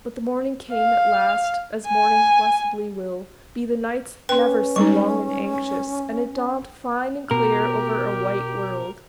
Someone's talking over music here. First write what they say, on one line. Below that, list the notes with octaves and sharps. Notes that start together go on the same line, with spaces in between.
But the morning came at last, as mornings blessedly will, be the nights never so long and anxious, and it dawned fine and clear over a white world.
F5
G#5
C#4 B4 G5 C6
G3 G#3 D#4 C#6
B2 G4 A#4